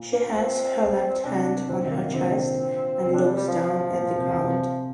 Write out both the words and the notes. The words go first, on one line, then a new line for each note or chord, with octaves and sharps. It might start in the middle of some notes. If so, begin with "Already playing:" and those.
She has her left hand on her chest and looks down at the ground.
Already playing: A#2
A#3
C4
C3 D4
A#2 D3 C4
C3 D#3
A#3
C3 D#3
A#2 D3 C4
C3 C4
D4
G3
G3
F3
A#2
C3
A#2
C3